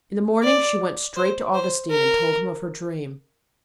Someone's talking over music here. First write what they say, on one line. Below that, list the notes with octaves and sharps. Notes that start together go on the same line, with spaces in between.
In the morning she went straight to Augustine and told him of her dream.
D5
C5
C5
A#4